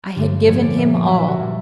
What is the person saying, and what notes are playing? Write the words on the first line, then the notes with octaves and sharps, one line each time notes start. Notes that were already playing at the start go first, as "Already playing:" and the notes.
I had given him all.
G2 D3 G3
A2 F3 G#3 C#5
D5
A#2 G3 E5
A#2 F#3 E5
B4
F#4
A#2 G3